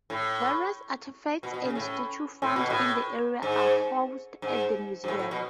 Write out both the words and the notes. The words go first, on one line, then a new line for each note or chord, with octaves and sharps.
Various artefacts and statues found in the area are housed at the museum.
A2
B2
B2
C#3
A2
A2
B2
A2
G#2
G#2
G#2
A2
A2
B2